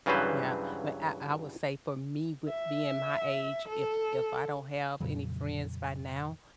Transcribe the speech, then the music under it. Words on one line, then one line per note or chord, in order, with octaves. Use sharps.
Yeah. But I I would say for me, with being my age, if if I don't have any friends by now,
G2 C#3 E3 F#3 B4 C5
E5
A4
F2 A#2 C#3 F#3